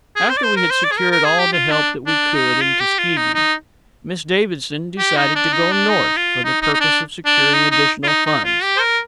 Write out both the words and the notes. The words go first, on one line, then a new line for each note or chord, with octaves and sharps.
After we had secured all the help that we could in Tuskegee, Miss Davidson decided to go North for the purpose of securing additional funds.
G#4
C5
D5
C5
A#4
C5
D5
G#4
A#4
A#4
G#4
G4
F4
D4
D4
D#4
F4
G4
F4
D#4
D#4
G4
D#4
D4
D#4
D4
D#4
F4
D#4
D#4
D#4
D4
D4
D#4
D#4
F4
D#4
D#4
F4
G4
C5
A#4